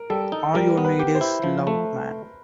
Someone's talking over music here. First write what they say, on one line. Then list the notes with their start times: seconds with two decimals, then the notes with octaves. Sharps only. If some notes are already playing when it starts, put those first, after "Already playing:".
All you need is love, man.
Already playing: A#4
0.10 G3 A4
0.32 D#4
0.54 G3 A#4
0.78 B3
0.85 B4
0.99 G4
1.15 C5
1.21 E4
1.43 F3
1.67 A3